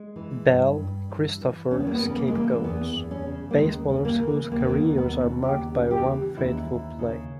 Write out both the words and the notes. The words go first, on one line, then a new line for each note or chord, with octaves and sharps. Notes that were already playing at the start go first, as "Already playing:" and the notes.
Bell, Christopher, Scapegoats: Baseballers Whose Careers Are Marked by One Fateful Play.
Already playing: G#3
E3
G2
G2
E3
E3
E2 C#4
B3
A#3
B3
C#3
A#3
G#3
E3 A#3
E2 B3
E2
C#4
C#3
A#3
D#2 G#3
C#3
A#3
E3
D#2 A#3
B3
A#3
D#2
B3
C#3
D#2 G4
C#3
G4
E3
D#2 E4
D#2
C#3